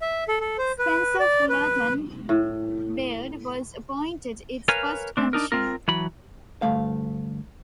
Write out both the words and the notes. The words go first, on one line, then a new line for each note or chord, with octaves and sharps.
Spencer Fullerton Baird was appointed its first commissioner.
E5
A4
A4
C5
B4
D5
B4
A2
A#4 B4 C#5 F5 G#5 A#5
A3 C4 D4
D4 D#4 A#4
C4 F4 A#4
E3 F#3 B5
D2 G2 A3 F5